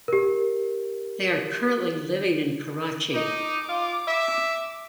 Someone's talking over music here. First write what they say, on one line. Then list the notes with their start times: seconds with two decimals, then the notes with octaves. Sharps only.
They are currently living in Karachi.
0.08 G4 A#4
3.14 D#4 D6
3.67 F4
4.07 E5